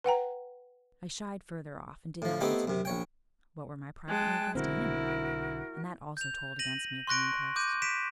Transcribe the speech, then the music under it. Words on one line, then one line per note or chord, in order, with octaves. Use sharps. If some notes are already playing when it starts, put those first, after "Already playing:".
I shied further off, and did not answer him--what were my private movements to him?--and that also told against me at the inquest.
B4 F#5 G5 A#5
A2 F3
A3 B3 C4 D#4 E4 G4
F#2 C3
A#1 C#5 G5
G#3 G5 A5 F#6
B1 D3 C4 E4 F#4 A#4
G6 F7
A#6 D#7 F#7
C6 C#6 F#6 A#6 D7
D6 G6 D#7
B6 D7 E7